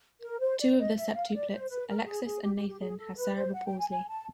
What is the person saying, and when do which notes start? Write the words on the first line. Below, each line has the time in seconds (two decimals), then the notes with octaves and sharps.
Two of the septuplets, Alexis and Nathan, have cerebral palsy.
0.21 A#4
0.40 C5
0.59 D5
0.77 D#5
0.95 E5
1.14 F5
1.33 D5
1.51 C5
1.69 B4
1.88 A#4
2.06 G#4
2.24 G#4
2.43 G4
2.55 G4
2.68 G4
2.80 G#4
2.98 A4
3.16 B4
3.35 C5
3.53 F#5
3.66 G5
3.78 G#5
3.90 G#5
4.08 A5